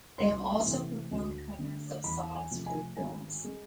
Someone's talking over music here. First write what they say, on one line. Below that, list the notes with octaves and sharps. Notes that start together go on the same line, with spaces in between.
They have also performed covers of songs from films.
C2 C6
C3 E3 A3
D2
D3 A3
E2 B5
G#5
C3 F3 A3
G#5
G#1 G#5
G#3